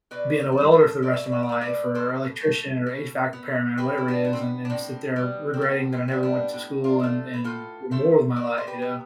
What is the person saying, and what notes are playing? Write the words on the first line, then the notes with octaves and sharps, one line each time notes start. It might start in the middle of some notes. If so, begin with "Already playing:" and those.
being a welder for the rest of my life or electrician or HVAC repairman or whatever it is, and and sit there regretting that I never went to school and and, do more with my life, you know?
B2 B4 D5
C5
D5
A3 A4 C5
A4 C5
B2 D5
E5
D5
E5
D5
A3 E5
B4 D5
B2 A4 C5
A3
B2
B3
B2 G4 B4
E4
B3 D4
B3
C4
B3
D4
A2 C4
G3 B3
C4
A2 B3
C4
G3 B3
B3 D4
A2
D4 F4
F3 A3
B4
A2 F4 A4
F3 A3 C5 E5
B2 B4 D5
C5
G4 B4
B3